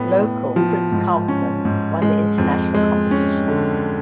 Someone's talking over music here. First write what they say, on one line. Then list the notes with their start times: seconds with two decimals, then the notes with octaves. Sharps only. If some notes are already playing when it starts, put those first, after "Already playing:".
Local Fritz Kaufmann won the international competition.
Already playing: A2 B3
0.19 A2
0.56 F3
0.92 G#2
1.28 C#4
1.65 G#2
2.02 G#3
2.38 F2
2.74 G#3
3.11 C#4
3.48 D3